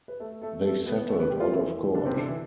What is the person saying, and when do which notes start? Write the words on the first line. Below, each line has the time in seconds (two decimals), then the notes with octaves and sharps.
They settled out of court.
0.08 B4
0.20 A3 A4
0.42 A3 A4
0.64 A3 A4
0.86 B3 B4
1.08 A3 A4
1.19 B3 B4
1.29 G3 G4
1.40 F3 F4
1.51 E3 E4
1.95 D3 D4
2.06 C3 C4
2.17 D3 D4
2.27 E3 E4